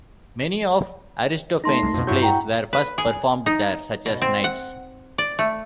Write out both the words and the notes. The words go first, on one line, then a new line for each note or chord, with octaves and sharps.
Many of Aristophanes' plays were first performed there, such as 'Knights'.
A3 D#4 A5 C6 A#6
C2 C7
F2 B2
G2 F#3 E4 C#6 G6
F#5 G5 A#5
B4
G#4
D#4
B2
C4
F#5
D5
A3